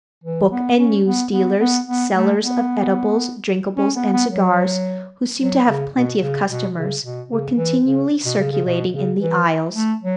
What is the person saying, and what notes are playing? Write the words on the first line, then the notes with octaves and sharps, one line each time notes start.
Book and news dealers, sellers of edibles, drinkables, and cigars, who seemed to have plenty of customers, were continually circulating in the aisles.
E3
B3
C#4
B3
B3
B3
B3
A3
B3
C#4
B3
B3
F#3
F#3
C#3
B2
C#3
B2
C#3
B2
C#3
E3
C#3
B2
C#3
C#3
B2
C#3
E3
A3
F#3